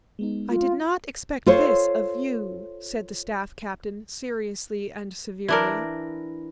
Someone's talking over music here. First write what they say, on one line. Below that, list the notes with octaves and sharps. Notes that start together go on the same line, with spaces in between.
"I did not expect this of you," said the staff captain seriously and severely.
G#3 B3 D#4
F4
F4 A4 C5 C#5
E3 D4 A#4